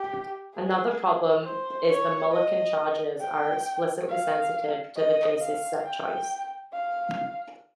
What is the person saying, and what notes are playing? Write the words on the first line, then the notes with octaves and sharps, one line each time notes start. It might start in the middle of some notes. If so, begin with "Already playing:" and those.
Another problem is the Mulliken charges are explicitly sensitive to the basis set choice.
Already playing: G4
G#4
C5
C#5
D#5
G5
F5
D#5
F5
G5
F5